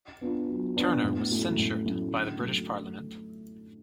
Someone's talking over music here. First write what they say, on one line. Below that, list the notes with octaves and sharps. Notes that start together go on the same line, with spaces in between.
Turner was censured by the British Parliament.
B3 D4 F4
F#3
B3 D4 F4
A2
F#3 A3 C#4 E4
A2
F#3 A3 C#4 E4
D3
F#3 A3